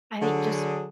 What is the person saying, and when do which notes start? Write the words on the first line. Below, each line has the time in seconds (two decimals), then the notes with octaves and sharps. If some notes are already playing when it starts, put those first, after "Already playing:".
I think just
0.21 D3 F#3 G#4